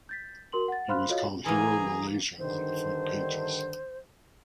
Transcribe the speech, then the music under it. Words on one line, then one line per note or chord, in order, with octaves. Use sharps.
He was called Hero Malaysia on the front pages.
G6 A6 B6
F#4 A#4 C6 F#7
F#5 A6
C5 F5 B5 C6 F6 F#6
F4 F#4 A4 C#5 D#5 F5
E3 A#3 G#4 G#5 A#5
G2 D3 D#3 C5